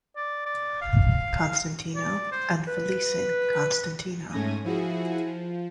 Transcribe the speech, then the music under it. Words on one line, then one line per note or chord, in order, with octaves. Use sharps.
Constantino and Felicing Constantino.
D5
D5
F5
D5
C5
B4
G#2 A3 C#4 G#5 A#6 D#7
F3 E4 F#4 G#4
F3